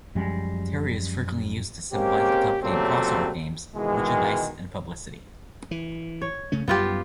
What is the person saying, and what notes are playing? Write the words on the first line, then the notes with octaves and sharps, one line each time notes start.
Terry is frequently used to symbolize the company in crossover games, merchandise and publicity.
F#2 F3 G3 G#3
G#3 A#3 C4 C#4 G4
A#2 C#3 F#3 G3 A3 C4
B2 D#3 E3 G#3
E3
C#5
C#3 A3 C#4
F#2 G3 B3 F4 G4